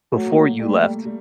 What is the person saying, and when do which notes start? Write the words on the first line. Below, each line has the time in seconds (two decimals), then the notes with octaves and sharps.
Before you left,
0.13 F#3 A3
0.26 A#3
0.40 A3
0.59 G3 A3
1.05 G3